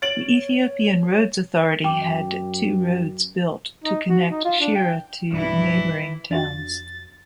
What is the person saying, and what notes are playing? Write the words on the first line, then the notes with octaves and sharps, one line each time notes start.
The Ethiopian Roads Authority had two roads built to connect Shire to neighboring towns.
C#5 A6 D7 F#7
F#2 G5 D6
D#4
F#4
D#4
F4
D4
G5
B1 G2 E3 E4
F2 D4 F4 F#4 A6